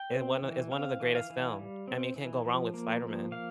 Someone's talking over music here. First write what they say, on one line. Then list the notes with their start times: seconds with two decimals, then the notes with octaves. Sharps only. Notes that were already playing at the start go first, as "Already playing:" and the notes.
it one of is one of the greatest film. I mean, you can't go wrong with Spider-Man.
Already playing: G5
0.14 C4
0.42 E3
0.72 C4 F5
1.00 E3
1.15 F5
1.30 E3
1.59 G3
1.88 C4
2.16 E3
2.45 F3
2.74 A#3
3.02 F3
3.31 A#3 F5